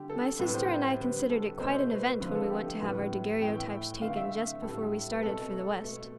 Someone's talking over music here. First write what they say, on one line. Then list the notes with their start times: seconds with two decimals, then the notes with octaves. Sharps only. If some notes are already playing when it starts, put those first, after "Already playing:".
My sister and I considered it quite an event when we went to have our daguerreotypes taken just before we started for the West.
Already playing: D3 G3 G4
0.10 A4
0.39 A2 G3 B4
0.55 C5
1.00 D3 G3 B4
1.30 A4
1.60 B2 A3 C5
1.90 B4
2.20 D3 F3 A3 B4
2.35 A4
2.50 G4
2.80 A2 G3 B4
3.41 A2 E3 A3 G5
4.01 D3 A3 F5
4.16 E5
4.62 A2 G3 A4
5.11 B4
5.23 B2 A3 A4
5.82 B2 A3